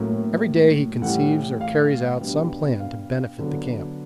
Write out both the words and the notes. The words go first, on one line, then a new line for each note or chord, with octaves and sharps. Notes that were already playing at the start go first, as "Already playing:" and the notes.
Every day he conceives or carries out some plan to benefit the camp.
Already playing: A2 F#3 A#3 C#4
A2 E3 G3 F#5
F5
B2 G3 B3 D4
F5
D3 F#3 B3